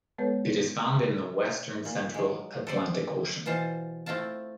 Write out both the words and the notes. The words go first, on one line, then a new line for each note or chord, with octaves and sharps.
It is found in the western central Atlantic Ocean.
G#3 B3 A4 B4 C#5
A#2
F#3 G#3
A4 C5 D5
B2 E3 F4 C5 A5
A3 C4 E4 F4 A5